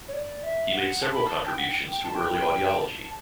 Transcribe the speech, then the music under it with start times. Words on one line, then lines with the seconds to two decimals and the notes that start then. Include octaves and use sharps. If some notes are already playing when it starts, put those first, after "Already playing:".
He made several contributions to early audiology.
0.08 C#5
0.13 D5
0.43 E5
0.73 F#5
1.02 A5
1.13 B5
1.25 A5
1.47 G5
1.58 F#5
1.69 G5
1.91 G5
2.04 A5
2.15 G5
2.79 A5